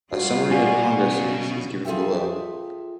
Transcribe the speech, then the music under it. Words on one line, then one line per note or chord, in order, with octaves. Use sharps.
A summary of congresses is given below.
G3 F4 F#4
B2 F#4 D5 G#5
C#3
F4 G#4 A4 E5 G5